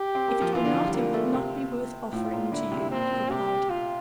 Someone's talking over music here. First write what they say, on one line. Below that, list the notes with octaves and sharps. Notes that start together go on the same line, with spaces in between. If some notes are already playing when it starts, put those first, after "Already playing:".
"If it were not it would not be worth offering to you," he replied.
Already playing: G4
C4
A#3
F3
E3 F4
D3
F3
G3
A#3 F4
A3
C3
A2 F4
A#2
D3 E4
C3
A#2 C4
A#2
C3 G4
F4